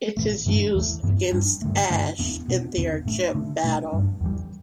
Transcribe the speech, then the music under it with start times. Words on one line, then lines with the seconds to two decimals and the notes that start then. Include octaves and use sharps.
It is used against Ash in their gym battle.
0.17 A2 E3 A3
0.46 G2 E3 A3 D4
0.75 E2 E3 A3
1.03 G2 E3 B3
1.32 G2 G3 D4
1.62 G2 D3 A3
1.90 G2 D3 A3 D4
2.19 E2 E3 B3 D4
2.48 B2 B3 D4
2.77 E2 D3 B3 D4
3.05 A2 A3 D4
3.35 D3 A3 D4
3.64 B2 A3 D4
3.92 G2 G3 D4
4.21 E2 E3 G3